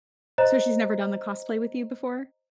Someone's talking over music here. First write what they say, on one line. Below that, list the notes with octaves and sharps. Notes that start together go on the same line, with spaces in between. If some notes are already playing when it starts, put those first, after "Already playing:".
So she's never done the cosplay with you before?
C5 D#5 A#5